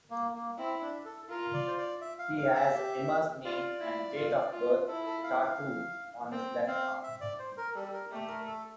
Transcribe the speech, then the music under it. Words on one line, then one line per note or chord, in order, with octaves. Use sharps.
He has Emma's name and date of birth tattooed on his left arm.
A#3
A#3
C4 E4
D4
A4
F4 A#4
D5
C5
D5
E5
F5
F5
E5
G4
F4 D5
E4
F4
F4
E4 A4
A4
F5
F5
C4 G5
C4 F5
E5
D5
C5
A#4
G3 A4
A#4
A3 G4
A#4
A4